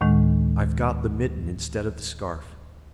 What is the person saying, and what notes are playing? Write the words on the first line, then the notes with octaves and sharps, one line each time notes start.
I've got the mitten instead of the scarf.
D2 A2 D#3 G#3